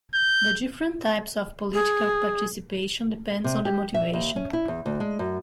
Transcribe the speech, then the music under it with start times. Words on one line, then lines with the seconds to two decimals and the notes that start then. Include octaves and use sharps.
The different types of political participation depends on the motivation.
0.14 G6
1.74 G#4
3.44 C3
3.65 G4
3.94 E5
4.13 D#2
4.36 C#4
4.53 E4
4.68 E2
4.86 D2
5.00 G#3
5.19 F#2